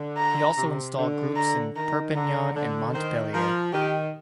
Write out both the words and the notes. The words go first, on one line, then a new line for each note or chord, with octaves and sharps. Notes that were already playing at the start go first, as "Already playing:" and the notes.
He also installed groups in Perpignan and Montpellier.
Already playing: D3
A#5
C3
D3
A#5
D#3 A#5
D3 A#5
D3
D#3 C5
F3 A#4
D#3 G4